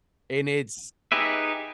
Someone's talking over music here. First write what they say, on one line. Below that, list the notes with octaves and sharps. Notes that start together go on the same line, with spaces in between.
and it's,
D#4 G4 G#4 B4 E5